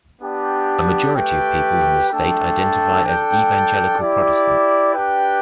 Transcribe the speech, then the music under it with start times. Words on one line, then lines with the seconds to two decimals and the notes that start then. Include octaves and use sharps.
A majority of people in the state identify as Evangelical Protestant.
0.20 B3 D4 G4 D5 G5
1.14 A3 G4 B4 G5
2.09 A3 D4 A4 G5
3.05 D4 A4 G5
4.00 E4 G4 D5
4.94 D4 G4 B4 G5